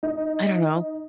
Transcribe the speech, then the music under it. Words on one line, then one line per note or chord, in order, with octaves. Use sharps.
I don't know.
D#4